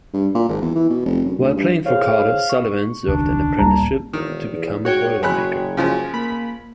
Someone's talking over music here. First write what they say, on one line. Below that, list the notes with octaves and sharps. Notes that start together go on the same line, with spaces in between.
While playing for Cardiff, Sullivan served an apprenticeship to become a boilermaker.
G2
A#2
G#1
E2
E3
B2
F1
F#2
D2
G2
G#4 C5 C#5 F5
C#6
E1 C#2 D#3 D4
D1 A#1 G3 A#3 A5 A#5
E1 D#3
E2
G#2 F#4 C#5 G5
F#1 G#3 B5 F#6
C#3 F3 G#3
A#3 B5